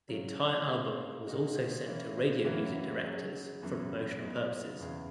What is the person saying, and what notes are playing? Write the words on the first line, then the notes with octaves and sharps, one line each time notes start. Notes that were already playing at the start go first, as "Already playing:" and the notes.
The entire album was also sent to radio music directors for promotional purposes.
C#3 F#3 C#4
A#2 A#3 C#4 G#4
A#2 A#3 D#4 F#4
E3 A#3 C#4
F#2 E3 A#3 C#4 F#4
F#3 C#4 G#4
F#2 E3 B3 F#4
A#2 F#3 B3 D#4
E2 C#3 E3